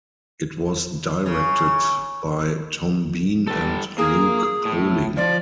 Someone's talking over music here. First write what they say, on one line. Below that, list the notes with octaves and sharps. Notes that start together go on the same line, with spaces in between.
It was directed by Tom Bean and Luke Poling.
C#3
G3 A4
A#3 G#4
A2
F3 D5